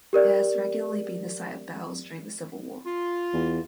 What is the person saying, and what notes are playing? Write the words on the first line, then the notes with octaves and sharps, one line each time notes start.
It has regularly been the site of battles during the civil war.
G4 A#4 D5
F4
E2